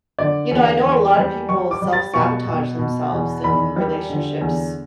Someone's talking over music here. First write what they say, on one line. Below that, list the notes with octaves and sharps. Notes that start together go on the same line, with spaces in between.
you know, I know a lot of people self-sabotage themselves in relationships
D3 D5
E2
E2
G3
G3 C#6
D6
G3
A6
B2 C#6
B2
B2
E2
E2 B5
G3
D3
E2